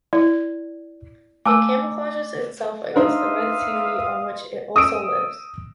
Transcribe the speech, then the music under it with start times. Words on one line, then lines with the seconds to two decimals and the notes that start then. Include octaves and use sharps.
It camouflages itself against the red seaweed on which it also lives.
0.13 E4 D5
1.45 A3 G#5 A5 D6 E6
2.96 D4 D#4 B4 C5 E5 F5 C6 D#6
4.76 D#6 E6 D7